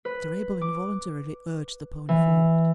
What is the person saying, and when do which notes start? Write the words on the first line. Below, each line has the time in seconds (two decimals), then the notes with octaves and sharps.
Mr Abel involuntarily urged the pony forward.
0.05 B4
0.61 D6
2.09 E3